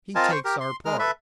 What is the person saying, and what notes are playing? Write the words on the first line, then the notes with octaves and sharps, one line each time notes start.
He takes our part.
C4 F4 A#4 D#5 G#5 A5
C5 C#6
G4 A#4
C6
G#3 A#4 F6
A4 B4 E5